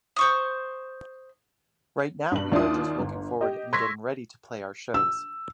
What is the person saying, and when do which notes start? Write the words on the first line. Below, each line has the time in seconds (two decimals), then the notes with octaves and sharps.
Right now we are just looking forward and getting ready to play our shows.
0.16 C5 C#6 D#6
2.31 G2 F#7
2.52 D#2 D4 E4 F4 D#6
3.00 G1
3.41 G4 D#5
3.73 C6 C#6 E6 G#6 A#6 B6
4.94 E6